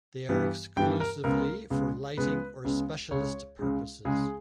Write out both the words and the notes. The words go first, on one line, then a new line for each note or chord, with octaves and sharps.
They are exclusively for lighting or specialist purposes.
G2 E3 G3 B3
G2 E3 G3 B3 G5
A#4
C#2 C#3 G#3 B3 A#4
C#2 C#3 G#3 B3
C#2 C#3 G#3 B3 B4
C#2 C#3 G#3 B3
C#2 C#3 G#3 C#5
C#2 C#3 G#3
C#2 C#3 G#3 G#4